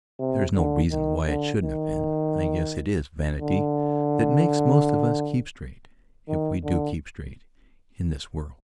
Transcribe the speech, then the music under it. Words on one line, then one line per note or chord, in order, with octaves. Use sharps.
There is no reason why it shouldn't have been; I guess it is vanity that makes most of us keep straight, if we do keep straight, in this world.
C3
D3
D#3
D3
D#3
D3
D#3
D3